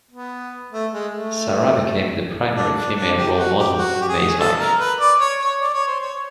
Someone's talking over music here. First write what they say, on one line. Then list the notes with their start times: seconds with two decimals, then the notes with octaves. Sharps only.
Sarah became the primary female role model in Mays' life.
0.11 B3
0.72 A3
0.93 G#3
1.13 A3
2.55 D4
2.76 D4
2.96 D4
3.16 G4
3.37 F#4
3.57 G4
3.77 F#4
4.02 G4
4.08 G#4
4.38 A4
4.59 A#4
4.79 B4
4.99 D5
5.20 C#5
5.40 C#5
5.61 D5
5.73 C#5
5.87 C5
6.00 C#5